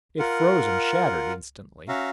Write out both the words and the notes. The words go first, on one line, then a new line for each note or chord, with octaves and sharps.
It froze and shattered instantly.
F4 A#4 F#5
C#4 F#4 E5 F5 A#5